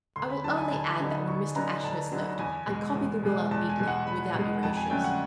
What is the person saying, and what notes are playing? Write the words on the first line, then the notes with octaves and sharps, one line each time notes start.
I will only add that when Mr. Ashurst left, I copied the will out neatly, without erasures.
D2 C6
B5
D3 F#3 B3 D#4 A5
G#5
D2 A5
D3 F#3 B3 D#4
D2 C#6
D3 F#3 B3 D#4 A#5
D2 A5
D3 F#3 B3 D#4
E2 G#5
B2 G#3
E2
B2 G#3
E2 A5
G#5
B2 G#3
F#5
E2 B5
B2 G#3
F2 A5
G#5
D3 F#3 A3 C#4 G5
F#5